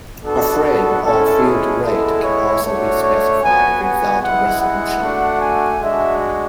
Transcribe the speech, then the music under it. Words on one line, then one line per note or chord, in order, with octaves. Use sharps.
A frame or field rate can also be specified without a resolution.
B3 D4 F#4 A4
A4
G#3 C#4 E4 A4
G#4
G#3 B3 E4 A4
C#5
A3 D4 F#4 C#5
C#5
B3 F#4 G#5
G#5
G#3 B3 E4 F#5
F#5
A3 D4 F#4
G#5
G#3 D4 F#4 E5